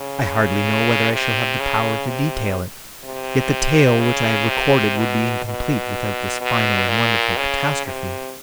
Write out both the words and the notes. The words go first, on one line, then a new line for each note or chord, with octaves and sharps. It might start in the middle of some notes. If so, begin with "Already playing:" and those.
I hardly know whether I shall have the power to detail it; yet the tale which I have recorded would be incomplete without this final and wonderful catastrophe.
Already playing: C#3
C3
C#3
C3
C3
C#3
C3
B2
B2
B2
A#2
C#3
C3